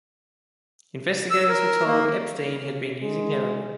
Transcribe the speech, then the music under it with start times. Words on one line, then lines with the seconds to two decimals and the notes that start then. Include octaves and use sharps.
Investigators were told Epstein had been using heroin.
1.31 E6
1.48 A#4
1.86 A#3
3.02 G#3